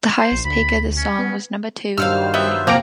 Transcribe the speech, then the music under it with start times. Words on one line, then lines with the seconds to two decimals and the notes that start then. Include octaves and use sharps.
The highest peak of the song was number two in Norway.
0.19 C5
0.32 A#1
0.45 D2 B5
0.97 C#4
1.19 B3
1.98 G2 D#3 F#3 C5 F5 F#5 E6 F6
2.34 B3 F4 E5
2.67 F1 F3 A#3 F#4 G5 A#5 D7